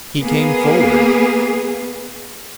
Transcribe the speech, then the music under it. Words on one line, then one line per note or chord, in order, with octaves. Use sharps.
He came forward.
A#3 B3 G#4